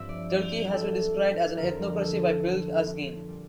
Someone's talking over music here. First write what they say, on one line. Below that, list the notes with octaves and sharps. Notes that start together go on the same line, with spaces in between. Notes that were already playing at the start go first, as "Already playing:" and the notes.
Turkey has been described as an ethnocracy by Bilge Azgin.
Already playing: G2 F3 C4 E5
D5
D5
G4
A4
F2 D3 F3 A#4
A4
A4
A#2 G3